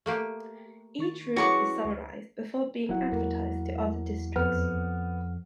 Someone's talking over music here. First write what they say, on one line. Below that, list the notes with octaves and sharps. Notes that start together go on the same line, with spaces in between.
Each route is summarized before being advertised to other districts.
A3 A#3 G4
D#3 C#6 A6
F#3 B3 C#4 E4 F#4 G#4 C#6 D6
D2
D#1 F#3 E4 F#5
E2 A#3
F2 B3 F#5 F6